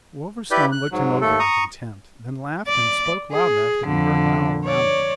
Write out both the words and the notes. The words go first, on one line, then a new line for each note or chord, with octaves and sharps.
Wolverstone looked him over in contempt, then laughed and spoke loud enough to be heard by all around him.
E4 G4 B4 D5 G6
F#6
G#2 F#3
D#2 A3 A4
A#5 C#6 D#6
D5
G#4
F2 D3
C#5 D5